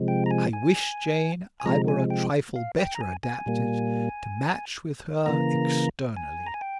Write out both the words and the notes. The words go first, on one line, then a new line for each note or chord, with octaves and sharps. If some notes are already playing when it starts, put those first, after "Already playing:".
I wish, Jane, I were a trifle better adapted to match with her externally.
Already playing: C3 F3 G#3
G5
A#5
G#5
G#5
G#5
C3 F3 G#3 A#5
G#5
G5
F5
G5
A#5
G#5
G#5
A#2 G3 A#3
C#3 E3 A#3 A#5
G#5
A#5
G#5
G5